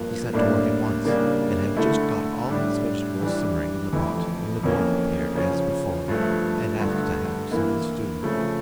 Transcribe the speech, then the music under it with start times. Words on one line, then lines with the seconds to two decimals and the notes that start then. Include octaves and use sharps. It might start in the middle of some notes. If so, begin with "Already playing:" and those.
He set to work at once, and had just got all his vegetables simmering in the pot when the dwarf appeared as before, and asked to have some of the stew.
Already playing: G2 F3 A#3
0.33 A2 G3 A#3 D4
1.05 C#3 G3 A#3 D4
1.77 D3 A3 E4
2.49 A2 G3 D4
3.21 E3 G3 D4
3.93 F2 E3 A3 E4
4.63 F2 E3 A#3 C#4
5.35 C#3 F3 C#4
6.08 G2 F3 A3
6.79 G2 D3 A3
7.51 E3 A#3 E4
8.23 C#3 F3 A3